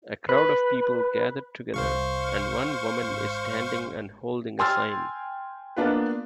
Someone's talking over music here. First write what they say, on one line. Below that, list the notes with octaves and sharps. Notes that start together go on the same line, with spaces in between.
A crowd of people gathered together and one woman is standing and holding a sign.
B4
C2 C5 F5 C#6
G#1
G5 G#5 C6 E6 F6 A6
A#3 B3 D4 F4 B4